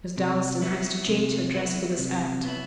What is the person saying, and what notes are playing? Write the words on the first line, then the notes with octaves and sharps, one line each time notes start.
"Miss Dalstan has to change her dress for this act."
C3
F#3 B3 E4
C3
F#3 B3 E4
C3
F#3 B3 E4